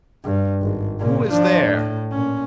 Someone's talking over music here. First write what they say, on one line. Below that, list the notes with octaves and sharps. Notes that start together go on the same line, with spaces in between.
Who is there?
G2
G#1
A#2 C#3
F3 D4
A2
A#2 C#4